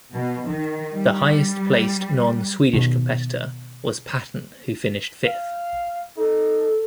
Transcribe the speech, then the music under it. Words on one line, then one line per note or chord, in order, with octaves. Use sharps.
The highest placed non-Swedish competitor was Patton, who finished fifth.
B2
D#3
G3
B2 D#3
F5
D#4 A4